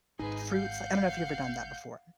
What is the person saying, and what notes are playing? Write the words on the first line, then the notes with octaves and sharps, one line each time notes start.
fruits li I don't know if you've ever done that before.
G#1 D#4 G#4 B4
F5 F#5 G6